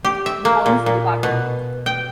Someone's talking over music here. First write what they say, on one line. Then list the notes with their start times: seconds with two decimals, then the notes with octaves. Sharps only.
The police dept.
0.05 G4
0.26 E5
0.45 A#3
0.66 A#2
0.86 A#2
1.23 B2
1.86 G5